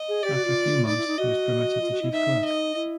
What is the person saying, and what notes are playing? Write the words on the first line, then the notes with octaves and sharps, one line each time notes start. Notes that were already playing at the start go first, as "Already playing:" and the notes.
After a few months he was promoted to chief clerk.
Already playing: D#5
G#4
G4 D5
F#4
F4
D#4 D5
E4
D#4
F#4 D#5
F4
F#4
E4
D#4 E5
D#5
E4